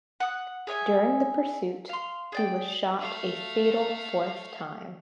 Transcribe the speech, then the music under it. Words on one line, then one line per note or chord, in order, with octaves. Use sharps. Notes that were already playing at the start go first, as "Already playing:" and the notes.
During the pursuit, he was shot a fatal fourth time.
F#5 D#6
G#4 C#5 E5 G#5
F5 C6
G#4 D5 G5
A3 F5